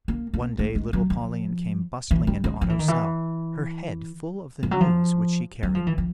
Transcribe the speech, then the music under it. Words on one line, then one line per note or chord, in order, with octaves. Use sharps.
One day little Pauline came bustling into Otto's cell, her head full of the news which she carried.
A#3
A#3
A3
G#3
F#3
F3
E3
G3
G#3
F3
E3
D#3
E3
F3
F#3
F3
F#3
F3
E3
F3